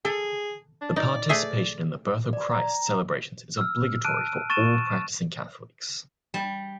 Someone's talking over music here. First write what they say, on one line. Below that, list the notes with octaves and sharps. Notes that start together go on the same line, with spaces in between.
The participation in the Birth of Christ celebrations is obligatory for all practicing Catholics.
G#4 A4
D4
D#4 D5
A3 G#4 E5
D5
A#5
E6 F6
A5 F6 F#6 D7 D#7
C#6 A6 D#7 E7
G3